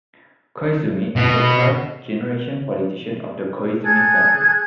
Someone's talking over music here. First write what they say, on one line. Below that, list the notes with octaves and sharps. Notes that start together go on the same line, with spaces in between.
Koizumi is a third-generation politician of the Koizumi family.
B2
G#4 A4 F#6 G#6